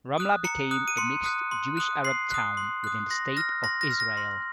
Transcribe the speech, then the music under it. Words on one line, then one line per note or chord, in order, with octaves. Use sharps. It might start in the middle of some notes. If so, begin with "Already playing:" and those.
Ramla became a mixed Jewish-Arab town within the state of Israel.
D#6 F#6
A#5 C#7
D#6 F#6
D#7
C6 C#7
D#6 F#6
C6
D#6 F#6
C6 C7
D#6 F#6
C6
D#6 F#6
C6 A#6
F6 A#6
C6 A#6
A#6
F6
A#6
C6